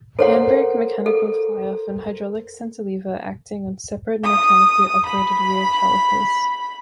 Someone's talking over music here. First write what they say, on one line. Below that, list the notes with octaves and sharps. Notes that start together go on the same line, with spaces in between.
Handbrake, mechanical fly-off and hydraulic centre lever acting on separate, mechanically operated rear calipers.
A4 A#4 C5 C#5 F#5
A4
D#6
B5